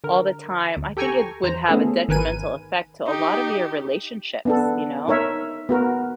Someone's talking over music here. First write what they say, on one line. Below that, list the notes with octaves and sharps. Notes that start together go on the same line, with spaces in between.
all the time, I think it would have a detrimental effect to a lot of your relationships, you know,
D3 A#4
D2
G4 A4 G5 G#5 A#5 C#6
E2 C5 A#5
A3 B3 C#4 E4 G#4 A4
G#1 D#3 A#4 B4 G#5 D#7
D#4 G4
B3 D4 A4
D#4 A#4 C#5 E5
B3 F#4 A#4